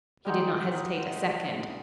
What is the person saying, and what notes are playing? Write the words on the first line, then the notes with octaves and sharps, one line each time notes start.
He did not hesitate a second.
G3 G#3 D#4 F#5